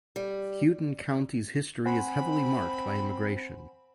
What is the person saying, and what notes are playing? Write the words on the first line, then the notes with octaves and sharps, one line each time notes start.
Houghton County's history is heavily marked by immigration.
G3
C4 C5 F#5 G#5 B5